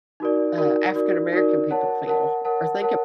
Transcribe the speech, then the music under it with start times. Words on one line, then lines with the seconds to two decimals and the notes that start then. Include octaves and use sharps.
uh, African American people feel or think
0.20 D#4 F#4 A#4 D5
0.58 D#4 F#4 A#4 D5
0.95 D#4 F#4 A#4 D5
1.32 D#4 F#4 A#4 D5
1.70 A#4 C#5 F#5 A5
2.07 A#4 C#5 F#5 A5
2.45 A#4 C#5 F#5 A5
2.82 A#4 C#5 F#5 A5